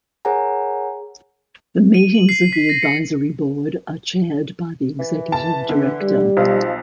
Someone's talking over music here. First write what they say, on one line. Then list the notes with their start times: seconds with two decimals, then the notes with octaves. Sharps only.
The meetings of the Advisory Board are chaired by the Executive Director.
0.25 G#4 A#4 C#5 F#5 G#5 A#5
1.94 D#7
2.14 F#7
2.29 C7
2.53 B6
2.69 A#6
2.83 C#7
5.00 E3
5.32 A5
5.69 D3
6.01 G3
6.37 B1 F3